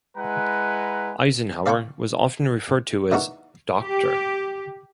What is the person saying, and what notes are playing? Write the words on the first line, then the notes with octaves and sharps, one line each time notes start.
Eisenhower was often referred to as Doctor.
G#3 E4 B4 F#5 A#5
D5 F5 G5 A5 C#6 D6
E3 D4 D#4 F#4 A#4
G4